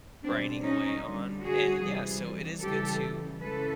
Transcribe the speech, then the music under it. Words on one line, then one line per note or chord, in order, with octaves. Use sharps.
grinding away on, and yeah, so, it is good to
B2 G3 C4 D4
C#4 D#4
D3 G3
F#4 G#4
C3 E3 G3
C#3 E3 G3 G4 A4
C#3 E3 G#3 A4 B4